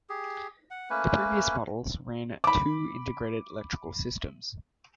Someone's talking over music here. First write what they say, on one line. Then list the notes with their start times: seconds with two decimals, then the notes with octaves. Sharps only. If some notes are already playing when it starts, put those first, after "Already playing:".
The previous models ran two integrated electrical systems.
0.09 G4 G#4
0.70 F#5
0.90 A3 A#3 C#4 B4
2.44 B5 D6